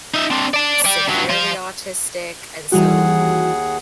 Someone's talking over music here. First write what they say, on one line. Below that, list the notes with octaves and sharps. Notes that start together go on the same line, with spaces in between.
severely autistic, and so,
D#4 E5
C4 D4
D5 A5
D5 G5
G2 F#3
F4 C5
D#2 E3 G3 F#4 G#4 F#5